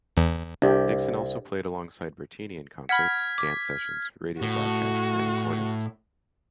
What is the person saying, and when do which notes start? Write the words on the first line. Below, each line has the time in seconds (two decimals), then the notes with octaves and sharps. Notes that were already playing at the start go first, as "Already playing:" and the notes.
Dixon was also playing alongside Bertini in concerts, dance sessions, radio broadcasts and recordings.
0.17 E2
0.62 C2 D4 G4
2.89 F#5 B5 F6 G#6 B6
3.38 D6
4.42 A2 F#4